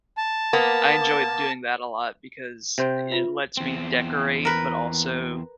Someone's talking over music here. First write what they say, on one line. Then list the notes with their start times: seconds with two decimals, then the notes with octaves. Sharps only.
I enjoyed doing that a lot because i it lets me decorate, but also,
0.17 A5
0.53 A#3 B3
2.78 C3 C5 G5
3.12 F4 B4 E5
3.57 E2 C4
4.45 A#4 B4